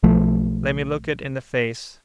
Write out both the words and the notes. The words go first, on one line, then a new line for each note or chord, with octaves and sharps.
Let me look it in the face!
B1 F3 A3